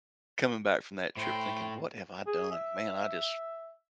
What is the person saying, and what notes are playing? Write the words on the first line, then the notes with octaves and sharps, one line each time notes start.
coming back from that trip thinking, "What have I done? Man, I just"
A2 C5 G5
G#4
E5